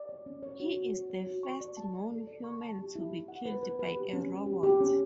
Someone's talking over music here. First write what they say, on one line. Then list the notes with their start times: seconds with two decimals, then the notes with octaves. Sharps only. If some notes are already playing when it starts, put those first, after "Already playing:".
He is the first known human to be killed by a robot.
Already playing: D5
0.09 C#5
0.26 C#4
0.43 C#5
0.60 F#4
0.77 F#4
0.94 C#5
1.10 C#5
1.27 F#4
1.43 C#6
1.61 D5
1.77 A5
1.95 D5
2.11 A4
2.27 D5
2.44 C#6
2.61 A5
2.79 G4
2.95 E4
3.12 E4
3.28 F#5
3.46 B4
3.63 B4
3.79 B4
3.96 G4
4.13 C#4
4.30 C#4
4.46 G4
4.63 G4
4.80 C#4